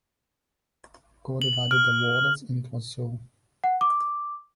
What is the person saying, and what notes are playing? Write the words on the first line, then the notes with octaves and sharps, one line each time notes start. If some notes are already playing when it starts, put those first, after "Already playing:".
God divided the waters and it was so.
F#7
F6
F#5
D6